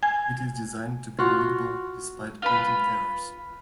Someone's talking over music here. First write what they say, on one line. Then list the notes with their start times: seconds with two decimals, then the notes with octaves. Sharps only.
It is designed to be readable despite printing errors.
0.03 G#5 G#6
1.19 F4 F#4
2.42 F4 B4 B5